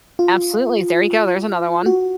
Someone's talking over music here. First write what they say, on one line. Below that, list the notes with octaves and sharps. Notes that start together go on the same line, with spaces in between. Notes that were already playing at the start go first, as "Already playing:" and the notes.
absolutely, there you go. There's another one,
F4
F#4